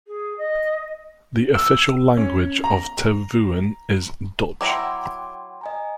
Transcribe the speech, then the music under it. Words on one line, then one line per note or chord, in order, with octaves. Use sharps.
The official language of Tervuren is Dutch.
G#4
D#5
E6
C#4
A#5
F#3 E4 F#5 G5 A#5 C6 D6
D#5 G#5 A#5